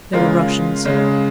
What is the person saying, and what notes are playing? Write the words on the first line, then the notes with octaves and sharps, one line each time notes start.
They were Russians.
C#3 G#3 F4 A#4
C#3 G#3